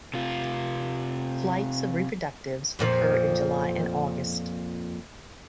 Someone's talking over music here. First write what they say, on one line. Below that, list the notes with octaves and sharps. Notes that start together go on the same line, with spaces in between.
Flights of reproductives occur in July and August.
C3 F4
F2 A#2 F3